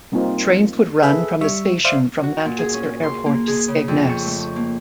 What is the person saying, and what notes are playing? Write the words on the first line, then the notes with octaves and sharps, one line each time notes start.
Trains would run from the station from Manchester Airport to Skegness.
G3 A#3 C4 D#4 F4
G#4 A4 B4 E5
G3 E5 C#6
C5 D5 E5 F5 C6
F#4
A#2
G#4
C#4
C6
A#3
G#4
C#3
F2
C#6
A3
A#3